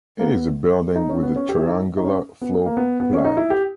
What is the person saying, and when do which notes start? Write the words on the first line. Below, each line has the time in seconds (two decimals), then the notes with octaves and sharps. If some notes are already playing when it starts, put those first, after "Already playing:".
It is a building with a triangular floor plan.
0.19 A#3
0.24 B3
0.96 D#4
1.09 C#4
1.23 B3
1.36 C#4
1.49 G4
1.58 E4
1.68 D#4
1.97 D#4
2.04 C#4
2.42 B3
2.66 A#3
2.77 B3
3.00 B3
3.13 C#4
3.25 D#4
3.37 E4
3.50 G4